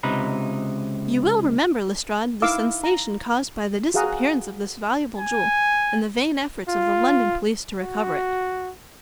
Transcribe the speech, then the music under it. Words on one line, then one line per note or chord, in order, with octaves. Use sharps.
You will remember, Lestrade, the sensation caused by the disappearance of this valuable jewel and the vain efforts of the London police to recover it.
C#2 C3 D#4 B4
D#4 E4 F5 D6 E6
A#5
F#4 G#4 F5 F#5 A#5 D#6
G#5
F4
F#4